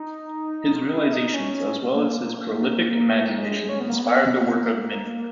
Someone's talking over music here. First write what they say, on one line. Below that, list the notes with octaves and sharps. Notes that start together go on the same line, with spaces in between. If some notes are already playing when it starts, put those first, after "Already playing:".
His realizations as well as his prolific imagination inspired the work of many.
Already playing: D#4
E4
D#4
C#4
C#4
A#3
G#3
C#4
B3
A#3
B3
A#3
A#3